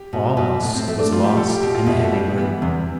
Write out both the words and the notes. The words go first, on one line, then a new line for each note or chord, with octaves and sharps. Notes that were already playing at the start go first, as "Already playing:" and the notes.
All else was lost in the heavy gloom.
Already playing: G4
B2
B2
A2
C4
A3
D4
G3 F4
G4
G3 A4
G4
B2 G4
F4
B2 E4
A3
G3 B3
E3 B3
E2 C3